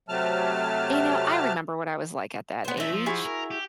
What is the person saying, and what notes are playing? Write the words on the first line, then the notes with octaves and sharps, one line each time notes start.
You know, I remember what I was like at that age.
C3 F#3 A3 A5 F6
B3 C5
A3 C#4 E5 A#5
F3
E4 F#4 G#4
A#4
G4